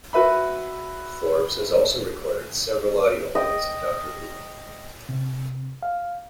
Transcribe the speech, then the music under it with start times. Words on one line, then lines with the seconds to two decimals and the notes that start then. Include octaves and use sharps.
Forbes has also recorded several audio plays of Doctor Who.
0.13 F#4 B4 E5 B5
3.35 D#5 G5
5.09 C3
5.83 F5